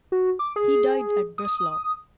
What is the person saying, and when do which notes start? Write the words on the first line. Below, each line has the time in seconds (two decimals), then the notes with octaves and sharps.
He died at Breslau.
0.12 F#4
0.39 D6
0.56 G#4
1.38 D#6